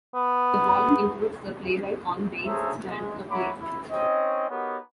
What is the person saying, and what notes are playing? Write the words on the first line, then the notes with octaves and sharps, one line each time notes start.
The volume includes the playwright "On Baile's Strand: A Play".
B3
C#4 G#4 A4 C5 E5 A#5
G#3
E4 C#5 F#5 A#5 B5 D6
E4
C4 C#4 D#4 C#5 D#5
B3 D#4 F#4 G4 A#4 C#5